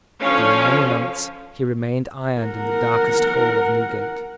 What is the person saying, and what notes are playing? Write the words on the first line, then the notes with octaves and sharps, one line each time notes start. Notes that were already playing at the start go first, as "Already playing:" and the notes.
During many months he remained ironed in the darkest hole of Newgate.
D3 F3 C#4 C#5 F5
A#4 F#5